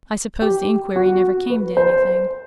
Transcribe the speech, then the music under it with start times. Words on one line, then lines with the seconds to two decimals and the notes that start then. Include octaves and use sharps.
I suppose the inquiry never came to anything.'
0.42 G4
0.96 F#4
1.50 B4
1.77 C5